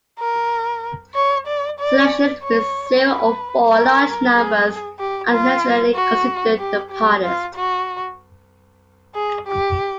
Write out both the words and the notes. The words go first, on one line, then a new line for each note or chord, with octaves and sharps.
Selections with zero or four large numbers are generally considered the hardest.
A#4
C#5
D5
D5
C#5
B4
A#4
G#4
G4
F4
F#4
G4
G4
F4
F#4
G#4
G4